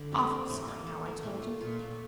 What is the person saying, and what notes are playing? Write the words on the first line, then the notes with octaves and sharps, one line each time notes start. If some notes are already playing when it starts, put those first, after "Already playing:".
Awful sorry now I told you.
Already playing: D3
F2 G4
C4
A2 A#3
A#3
A4
A#3
A2 A3
F4
A#2 F4
A3